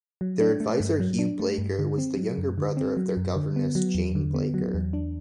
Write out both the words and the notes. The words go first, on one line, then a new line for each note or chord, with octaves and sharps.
Their advisor Hugh Blaker was the younger brother of their governess Jane Blaker.
F#3
D4
A3
G2
F#3
D4
A3
G2
D3
C4
F#3
F#2
D3
C4
F#3
F#2
D3
B3
F#3
E2
D3
B3
F#3
E2
D4